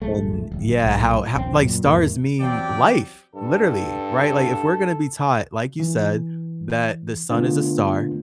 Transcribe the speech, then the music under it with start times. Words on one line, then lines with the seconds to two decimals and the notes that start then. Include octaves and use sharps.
And yeah, how ho like, stars mean life, literally, right? Like, if we're gonna be taught- like you said- that the sun is a star,
0.02 D1 A#1 G#3 A3
0.52 D1 G#1
0.83 B1 A3
1.35 D#1 A#1 A2 C4
1.60 F#2 A#2
1.83 E2 G#2 C3 A#3
2.40 E2 F#3 C4 G4 D5 G5
3.36 G2 A4
5.80 E3
7.30 D3 A3 B3 D4 F4